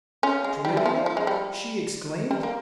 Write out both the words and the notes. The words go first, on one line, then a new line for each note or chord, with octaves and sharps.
"Trivial!" she exclaimed.
C#4 F4
G#3
G3
E3
F3
F3
G#3
G3
G3
A#3